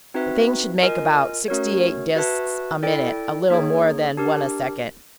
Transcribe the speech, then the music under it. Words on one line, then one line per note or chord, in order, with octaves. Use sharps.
"The thing should make about sixty-eight disks a minute--a little more than one a second."
C4 D#4 F#4 B4 E5
F4 A#4 D#5 G#5
A3 C#4 F#4 A#4 C#5
F#4 B4 E5 A5
E4 A4 D5 G5
A#3 D#4 G#4 C#5
D4 G4 A#4